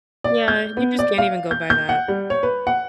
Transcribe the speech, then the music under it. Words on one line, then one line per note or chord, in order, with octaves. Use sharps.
Yeah, you just can't even go by that.
D5
G6
B3
D5
F5
G6
G6
F#5
G3
C#5
B4
F#5